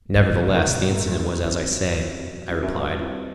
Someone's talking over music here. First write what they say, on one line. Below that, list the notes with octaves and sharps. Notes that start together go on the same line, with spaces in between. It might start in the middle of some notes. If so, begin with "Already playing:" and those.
"Nevertheless the incident was as I say," I replied.
A2 D#3
B2
F#3 A3
C3
D#3
B2 D#3
A2 F#3 A3
G2
F#2 B2
E2 G3 C4 E4
F#2 B2
G3 C4 E4
B2
E2 G3 C4 E4
F#2
G2 B2
G3 C4 E4